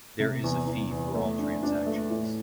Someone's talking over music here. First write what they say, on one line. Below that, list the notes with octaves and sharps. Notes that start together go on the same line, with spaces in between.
There is a fee for all transactions.
C3
E2
E2
E2
A3
D4
D4
A3
A2